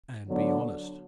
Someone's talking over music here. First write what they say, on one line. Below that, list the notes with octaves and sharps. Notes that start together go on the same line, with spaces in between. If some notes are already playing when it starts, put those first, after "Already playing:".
Man, be honest.
D3 F#3 B3 D4